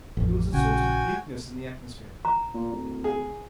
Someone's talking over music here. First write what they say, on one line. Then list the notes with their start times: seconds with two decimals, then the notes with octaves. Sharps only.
There was a sort of bleakness in the atmosphere.
0.17 A1 F2
0.53 A#1 C#3 F#4 G5 G#5
2.25 A#5
2.54 A#2
2.72 D1
3.04 G#4